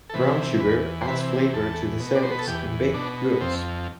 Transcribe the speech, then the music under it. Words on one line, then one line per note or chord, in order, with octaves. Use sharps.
Brown sugar adds flavor to desserts and baked goods.
A4
C3 E3 B4
E2 B4
C5
C3 E3 B4
E2 A4
B2
D5
C5
B4
A4
E2 G4
B2 D4
F2 C4